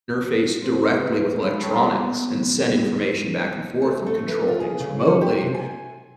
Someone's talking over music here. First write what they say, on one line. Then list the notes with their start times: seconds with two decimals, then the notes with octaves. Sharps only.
interface directly with electronics and send information back and forth and control things remotely.
0.62 C4 A#4 C5
0.87 G4 B4
1.39 G#3 C#4 D#4 F5 B5
1.62 G3 G#3 A4 C#5 A5 C#6
1.93 B3
2.63 G3 B3 G#4
3.82 A3
4.06 A3
4.28 B4
4.48 F4
4.60 G#4
4.80 C#3
5.07 C#4
5.21 G4
5.41 C3
5.55 G#5